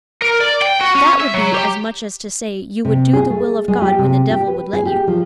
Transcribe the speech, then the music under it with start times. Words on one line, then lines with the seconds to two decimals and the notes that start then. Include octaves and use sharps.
That would be as much as to say you would do the will of God when the devil would let you.
0.22 A#4
0.40 D5
0.62 G5
0.81 F#4
0.95 C#4
1.20 E5
1.34 F#3
1.54 G4
2.85 C3
3.13 G#4
3.30 A3
3.68 G#3
3.82 G4
3.98 C3
4.30 G4
4.47 B4
4.73 G#4
4.86 G4
5.07 F3